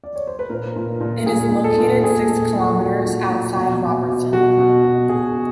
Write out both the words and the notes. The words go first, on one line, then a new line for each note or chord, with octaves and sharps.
It is located six kilometres outside Robertson.
D5
C#5
C5
B4
A#2 A#4
A#2
A#2
A#2 G#4
A#2
A4
A#2
A#2 G#4
A#2 A4
A#2 A4
A#2 F#4
A#2
A#2
B2
B2
B2
B2 F#4
B2
B2
B2 G#4
B2